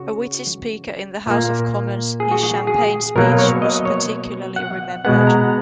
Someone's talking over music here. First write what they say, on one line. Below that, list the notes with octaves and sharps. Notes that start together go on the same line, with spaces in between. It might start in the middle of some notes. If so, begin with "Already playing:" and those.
A witty speaker in the House of Commons, his "champagne speech" was particularly remembered.
Already playing: C#3 F#4
A#2 A#3
G#4
F#4
G#4
G#4
B2 F#3 A#3 A#4
C#5
D#5
C#5
F#5
B2 G#3 B3 F#5
A#5